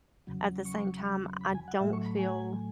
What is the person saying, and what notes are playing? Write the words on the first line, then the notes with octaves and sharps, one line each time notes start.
at the same time, I don't feel
E2 C#3 F#3
C#6
B5
G#5
F#5
A2 F#3 A3 E5
C#6
B5
G#5